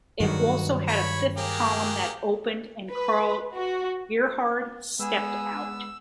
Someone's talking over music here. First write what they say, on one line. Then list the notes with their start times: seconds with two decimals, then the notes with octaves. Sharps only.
It also had a fifth column that opened and Karl Gerhard stepped out.
0.20 G2 D#3 F#3 F#4
0.88 C#5 B5
1.37 A#3 G4 G#4
2.91 B4
3.54 F#4
4.99 G#3 B3 G#4 B4 E6